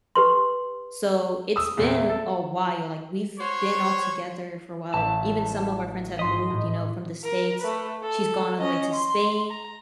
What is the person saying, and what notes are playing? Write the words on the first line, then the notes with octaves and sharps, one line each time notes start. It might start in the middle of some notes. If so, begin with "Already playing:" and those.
so it's been a while, like, we've been all together for a while, even some of our friends have moved, you know, from the States. She's gone all the way to Spain,
G4 B4 C6
D#6 E6
E2 A#2 E5
A4
F#4 C5 C#5
A1 E5 A5
G#2 D#5 C6 B6
A2
A#4
A3 B4
A4
C#4 D#5
C6
A#5